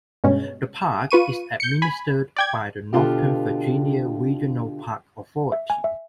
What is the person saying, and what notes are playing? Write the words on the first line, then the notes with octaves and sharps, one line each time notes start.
The park is administered by the Northern Virginia Regional Park Authority.
G2 B2 G#3 C#4
F4 B4 C#6 D#7
G6 C#7
G#5 B5
D5 G5 G#6
B2 D3 F4 G4
E5
G#5
E5